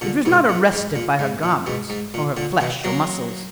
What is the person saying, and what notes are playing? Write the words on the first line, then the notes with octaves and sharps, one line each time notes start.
It was not arrested by her garments, or her flesh or muscles.
A#2 D3
G#2 B2
A#2
G#2
A#2
G#2
A#2
G#2 B2
G#2
A#2
A#2 D3
B2 D#3
F#3 A#3